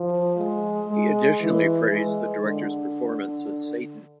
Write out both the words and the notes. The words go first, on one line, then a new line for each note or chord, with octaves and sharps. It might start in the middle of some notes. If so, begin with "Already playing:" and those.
He additionally praised the director's performance as Satan.
Already playing: F3
G#3
G#3
E3
G#3
D3